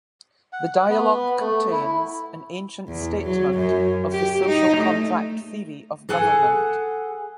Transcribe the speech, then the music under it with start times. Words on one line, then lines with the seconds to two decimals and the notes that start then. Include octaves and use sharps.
The dialogue contains an ancient statement of the social contract theory of government.
0.53 F#5
0.90 B3
1.40 A3
1.72 E4
2.87 E2
3.23 F#3
3.54 F#2
4.11 G4
4.46 D#4
4.77 A3
6.09 G#4 A4 F#5 G#5